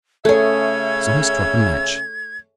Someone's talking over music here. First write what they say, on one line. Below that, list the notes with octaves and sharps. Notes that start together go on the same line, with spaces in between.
So he struck a match.
C#3 A3 C#4 G#4 A4 C#5 E5 G#6